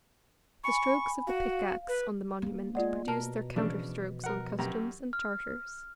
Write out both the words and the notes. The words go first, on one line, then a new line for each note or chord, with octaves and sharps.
The strokes of the pickaxe on the monument produce their counter-strokes on customs and charters.
G#5 B5 C#6
F#4 F5
B4
A#3 B3
G#3 F4 D5 F#5
B2 A#4 A5
C#3 E3 F3 D4
A#4 F#5
F#2 G4 A#5
F6